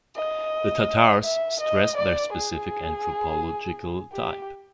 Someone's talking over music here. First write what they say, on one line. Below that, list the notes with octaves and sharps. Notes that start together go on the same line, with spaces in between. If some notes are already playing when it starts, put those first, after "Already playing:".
The Tatars stress their specific anthropological type.
D#5
E5
D#5
D5
G#4
G4